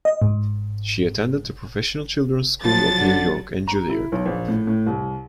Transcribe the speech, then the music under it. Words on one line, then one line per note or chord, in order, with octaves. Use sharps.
She attended the Professional Children's School of New York and Juilliard.
D#5
G#2
F3 F#3 A6
D3
A#5
E4
B1
A#1
A2
A2
C2